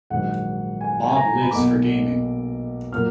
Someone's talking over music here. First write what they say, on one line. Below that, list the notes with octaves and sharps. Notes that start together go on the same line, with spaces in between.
Bob lives for gaming.
A#1 G#2 D#3 F#3 F#5
G#5
G#5
A#5
B5
B1 B2 A#3 D6
A#2 F#3 A#3 F6